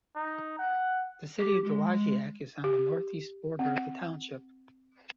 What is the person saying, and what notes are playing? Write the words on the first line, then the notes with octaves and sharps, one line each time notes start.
The city of Dowagiac is on the northeast border of the township.
D#4
F#5
G4
G#3
G4
C4